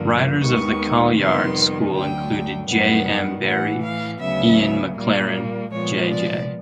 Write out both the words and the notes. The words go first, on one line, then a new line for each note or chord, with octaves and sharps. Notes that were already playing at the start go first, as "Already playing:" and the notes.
Writers of the Kailyard school included J. M. Barrie, Ian Maclaren, J. J.
Already playing: G2 D3 F3 A#3
D#2 D#3 G#3 B3 C#6
F2 C3 D#3 G3 B3 C6
D2 D3 F#3 G5
F#2 D#3 G3 B3 F#5
A2 E3 A3 F#5
F5
D2 C#3 F#3 B3 E5
A#2 G3 A#3
A#2 F3 G#3 B3 C#5
D5